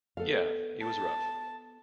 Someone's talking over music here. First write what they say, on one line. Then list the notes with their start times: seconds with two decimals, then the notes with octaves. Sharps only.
Yeah, it was rough.
0.17 B3 A4 F5
0.82 A5